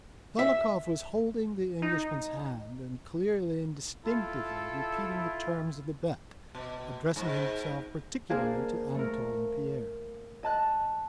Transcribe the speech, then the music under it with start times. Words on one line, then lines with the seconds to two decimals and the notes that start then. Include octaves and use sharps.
Dolokhov was holding the Englishman's hand and clearly and distinctly repeating the terms of the bet, addressing himself particularly to Anatole and Pierre.
0.39 E5
1.82 D#4
4.05 E4 F4 A4
6.55 B2
7.16 G#2
8.30 A#3 D4 G#4 A#4 C5 F5
8.95 A3 A#4
10.43 D#5 A5 F#6